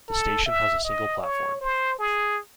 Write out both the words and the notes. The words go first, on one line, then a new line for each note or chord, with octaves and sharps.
The station has a single platform.
A4
E5
D#5
C#5
C5
G#4